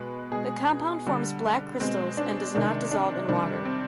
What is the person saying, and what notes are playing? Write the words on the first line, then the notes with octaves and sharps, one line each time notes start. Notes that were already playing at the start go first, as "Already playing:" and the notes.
The compound forms black crystals and does not dissolve in water.
Already playing: B2 G#3 B4
B2 G#3 G#4
D3 G3
B2 G#3 C4
D4
C3 D#3 G#3 D4
D4
C3 D#3 G3 D4
C4